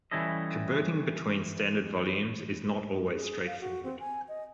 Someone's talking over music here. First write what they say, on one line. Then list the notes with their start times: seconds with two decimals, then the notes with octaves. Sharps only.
Converting between standard volumes is not always straightforward.
0.11 E3 G3 C#4 E4 A4 D#5
3.14 G#4
3.46 F5
3.60 F#4
3.83 C4
3.99 G#5
4.28 D#5